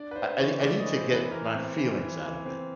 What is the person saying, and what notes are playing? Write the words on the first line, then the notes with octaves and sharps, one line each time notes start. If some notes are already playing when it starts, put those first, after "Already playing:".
I I nee I need to get my feelings out of it
Already playing: D4 D5
B4
D4 C5
E3 C#5
A3 D5
D#5
E3
C5
E3
B4
E3 A#4
C4
E3
E3
E3
C4